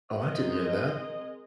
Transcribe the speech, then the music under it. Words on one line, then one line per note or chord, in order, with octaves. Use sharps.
Oh, I didn't know that.
G#3 C4 G#4 A#4 D#5